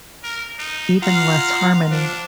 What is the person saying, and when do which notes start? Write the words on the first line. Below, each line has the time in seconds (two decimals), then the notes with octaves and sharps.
Even less harmony.
0.24 A#4
0.59 D#4
1.02 F4 F5 F#5 A#5
1.91 F3 D4